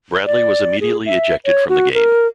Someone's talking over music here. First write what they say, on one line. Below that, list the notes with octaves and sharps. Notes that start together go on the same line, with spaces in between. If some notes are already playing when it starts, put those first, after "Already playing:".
Bradley was immediately ejected from the game.
D5
G#4
E5
C#5
F#4
A#4